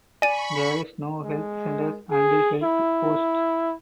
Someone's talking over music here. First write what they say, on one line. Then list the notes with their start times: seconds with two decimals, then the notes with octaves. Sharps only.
There is no health centers and health posts.
0.22 D5 G#5 B5 C#6 D#7
1.24 G#3
2.11 G#4
2.63 E4